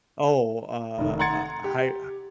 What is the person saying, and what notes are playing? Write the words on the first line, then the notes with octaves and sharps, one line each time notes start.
Oh, uh, a hi h
F1 D#3
F#5 A#5 C6 G#6 A6 C#7
G4